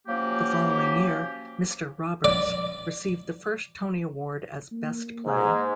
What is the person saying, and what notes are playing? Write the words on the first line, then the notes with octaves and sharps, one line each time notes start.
The following year "Mister Roberts" received the first Tony Award as Best Play.
F3 F#3 A#3 C#4 G4
D5
A#3
G#2